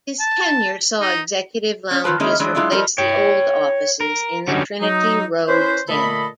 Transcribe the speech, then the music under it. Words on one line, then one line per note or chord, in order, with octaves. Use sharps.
His tenure saw executive lounges replace the old offices in the Trinity Road Stand.
A5
D#4
C#4 C#5
D#3 F#3 F4 B4 A5
D#3 G#3 A#3 C#4 D#4 E4
E3 F#3 G#3 A3 D4
F#3 G#3 E4 F4 A4
F3 G3 D#4 A4 A#4
C#5 G5
A#4
D3 F#3 G3 C#4 D#4
F#3 D#4
C#4 E4 B4 C5
A#2 D3 A3 A4 D#5 B5